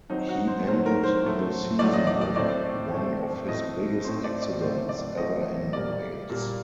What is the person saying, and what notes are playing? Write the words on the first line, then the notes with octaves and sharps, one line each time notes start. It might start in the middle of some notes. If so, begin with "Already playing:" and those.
He ended the season with one of his biggest accidents ever in Wales.
D#3 F#3 C4 D#4
F#4
C5
D#3 F#3 C4 C5
A#4
C5
A2 F#3 A3
A2 F#3 A3 D5
D#5
D5
D5
A2 A3 C4 D5
A2 A3 C4
A2 A3 C4 D#5
A2 A3 C4 C5
D5
D5
A2 F#3 A3 C4 C5
D5
A2 F#3 A3 C4 D#5
A#2 G3 A#3 D5
A#2 G3 A#3